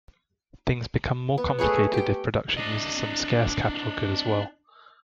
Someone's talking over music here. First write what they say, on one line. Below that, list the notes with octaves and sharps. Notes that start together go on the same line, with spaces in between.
Things become more complicated if production uses some scarce capital good as well.
B3
A3 G#4 B4 C#5
G4 G5
D4 D#5